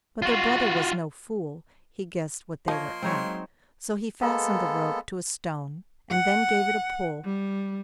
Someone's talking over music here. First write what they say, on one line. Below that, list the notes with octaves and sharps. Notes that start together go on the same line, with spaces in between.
But their brother was no fool; he guessed what they were at, so he fastened the rope to a stone, and then gave it a pull.
F4 F#4
F3 A#3 C#5 D#5 C6
F#3 G#3 C4 D#4 C#5
G#3 A#3 B3 A4
F#5
G3